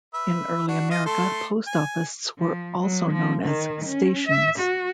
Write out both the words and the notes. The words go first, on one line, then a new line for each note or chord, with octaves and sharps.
In early America, post offices were also known as "stations".
B4 E5
D4 F#4
F4 D#5
A3 A4 C6
G#5
F3
F#3
F3
D#3
C#4
E5
F#4